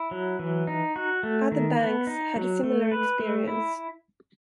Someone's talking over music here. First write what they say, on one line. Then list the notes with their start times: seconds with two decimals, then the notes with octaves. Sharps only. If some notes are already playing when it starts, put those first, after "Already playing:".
Other banks had a similar experience.
Already playing: E4
0.11 F#3
0.39 E3
0.67 D#4
0.96 F#4
1.23 A3
1.52 D#3
1.79 B3
2.07 D#4
2.36 F#3
2.63 A3
2.92 B4
3.20 A3
3.48 E4